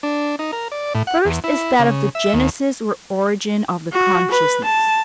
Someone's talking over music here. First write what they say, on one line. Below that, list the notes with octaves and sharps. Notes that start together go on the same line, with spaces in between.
The first is that of the genesis or origin of the consciousness.
D4
D#4
A#4
D5
A2
F#5
E2
E4
C#3
E5
D#2
F#4
B4
A5